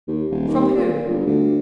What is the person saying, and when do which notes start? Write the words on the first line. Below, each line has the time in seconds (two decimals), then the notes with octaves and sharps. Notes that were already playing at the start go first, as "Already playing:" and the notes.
"From whom?"
0.08 D#2
0.30 D#1
0.48 D#2
0.77 A#2
1.09 G1
1.26 D2